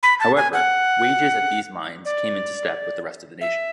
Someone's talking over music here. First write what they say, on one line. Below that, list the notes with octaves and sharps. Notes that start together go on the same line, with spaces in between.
However, wages at these mines came into step with the rest of the nation.
B5
A5
G#5
F#5
D5
E5